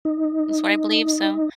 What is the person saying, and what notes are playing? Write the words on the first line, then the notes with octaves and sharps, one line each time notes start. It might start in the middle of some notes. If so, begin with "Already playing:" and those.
It's what I believe. So
D#4